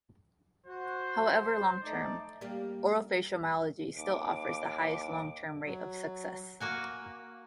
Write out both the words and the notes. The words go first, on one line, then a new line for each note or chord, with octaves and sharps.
However, long term, orofacial myology still offers the highest long term rate of success.
F#4 C5
A3 D#4 D5
G3 A#3 G4
D#2 D6
F#3
A#3 F#4 G#5